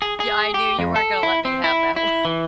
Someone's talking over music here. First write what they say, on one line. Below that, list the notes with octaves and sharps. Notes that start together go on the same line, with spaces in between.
Yeah, I knew you weren't gonna let me have that one.
G#4
G#4
G4
F2
A4
E4
C4
E4
E4
E3